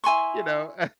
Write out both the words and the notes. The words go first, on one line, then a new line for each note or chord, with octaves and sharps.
you know. Uh
E4 G#5 C6 C#6